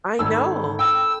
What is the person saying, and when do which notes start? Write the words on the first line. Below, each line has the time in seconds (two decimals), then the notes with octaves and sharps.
I know.
0.19 G#1 A4 A5 B5 E6
0.79 G5 E6